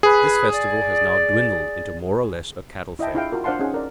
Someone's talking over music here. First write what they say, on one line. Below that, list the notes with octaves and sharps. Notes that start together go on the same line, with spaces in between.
This festival has now dwindled into more or less a cattle fair.
G#4 B4
D5
E4 D#5 E5 G5 A5
D4 E4 F4 G#4 F5 G5
F4 F#4 A#4
D4 C5 F5 F#5 A5 C6
C#4 D#4 G#4 F#5
A#4 D5